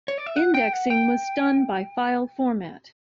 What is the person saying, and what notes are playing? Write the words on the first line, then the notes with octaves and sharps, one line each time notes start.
Indexing was done by file format.
C#5
D5
E5
F#5
G5
F#5
G5